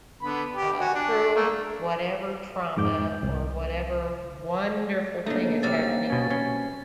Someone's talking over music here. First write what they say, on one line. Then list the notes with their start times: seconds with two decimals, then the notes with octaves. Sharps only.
uh, through whatever trauma or whatever wonderful thing is happening.
0.22 D3 B3 B5
0.55 G4
0.80 F#4 G#5
0.95 D4
1.35 A3 A#3
2.77 F2 G#2 D6 G6
3.23 C2
5.26 C#3 A3 A#3 D4 D#4
5.63 C3 F#3 G3 A6
6.10 B2 C#4
6.30 C#4 C6